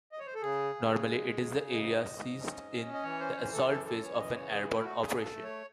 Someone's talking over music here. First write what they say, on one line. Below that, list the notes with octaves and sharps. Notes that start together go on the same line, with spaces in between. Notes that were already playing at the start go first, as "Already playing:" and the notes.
Normally it is the area seized in the assault phase of an airborne operation.
D#5
C#5
C5
A4
C#3 G#4
C#3
G#3
C#3
G#2 D#5
G#2
C#4
C#4
D#5
E3 C#5
C5
C#5
E3 C5
A4
F#2 A4
A4
E3 C#5
D#5
C#3 C#5
G#4
A3 E4
F#4
C#3 G#4
A4
A3
C#5